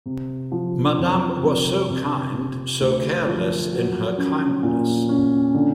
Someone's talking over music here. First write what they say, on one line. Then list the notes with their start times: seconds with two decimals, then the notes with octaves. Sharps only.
Madame was so kind, so careless in her kindness.
0.06 C3
0.52 F3
0.98 F2
1.42 C3
1.89 C3
2.34 C3
2.80 D2
3.26 F3
3.71 F#3
4.17 C#4
4.63 A#2
5.09 C#4
5.54 D3